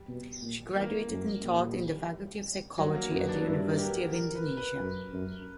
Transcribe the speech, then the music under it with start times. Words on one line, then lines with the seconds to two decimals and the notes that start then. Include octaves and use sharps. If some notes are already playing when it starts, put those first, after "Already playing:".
She graduated and taught in the Faculty of Psychology at the University of Indonesia.
Already playing: G3
0.08 B2
0.42 A#2
0.76 E2 A#3
1.10 F#2
1.43 A#2 G3
2.78 G2 F#3
2.95 A#3
3.12 F#2 B3
3.29 D4
3.39 D4
3.45 G2 E4
3.71 A#4
3.79 G4
4.12 A#4
4.35 B4
4.57 B4
4.80 F#2
5.13 F#2